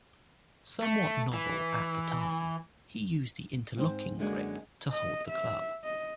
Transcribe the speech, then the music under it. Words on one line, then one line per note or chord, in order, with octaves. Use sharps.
Somewhat novel at the time, he used the interlocking grip to hold the club.
A3
E3
G#2 C4 C5
F#2 D3 F#3 G#3 A#3 D4
D#5
E5
D#5